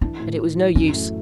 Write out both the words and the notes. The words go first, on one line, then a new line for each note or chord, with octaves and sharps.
But it was no use.
E3 D4
A2
A2
E3
F#2 C#4
A3